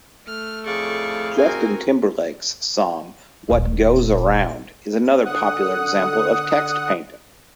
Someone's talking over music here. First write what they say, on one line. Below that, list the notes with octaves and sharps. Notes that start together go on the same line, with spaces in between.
Justin Timberlake's song "What goes around" is another popular example of text painting.
A3 F6
F2 A2 G#4 D5 F5 C#6
C4 F#4 A#4 G#5
D#1 A#1
D3 F#5 D#6 F#6